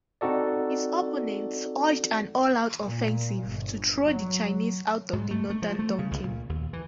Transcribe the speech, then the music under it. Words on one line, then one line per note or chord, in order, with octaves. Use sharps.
His opponents urged an all-out offensive to throw the Chinese out of northern Tonkin.
C4 D#4 F#4 A4 D5
A#2
G1
F#3
G#2
A3
A3
F3
A3
C#3
C#2
A#2
D#2
E3